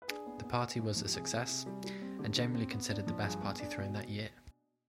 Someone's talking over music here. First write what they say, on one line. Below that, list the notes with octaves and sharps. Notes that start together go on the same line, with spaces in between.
The party was a success and generally considered the best party thrown that year.
B4
D4 G#4
B3
B3
B3
G#2
F3
G4
C3 G#4
C3
C3
G3
G3
C4
D3 G4
D3
C4
B3
D4
F3
G2 G#4
B3
D4
B2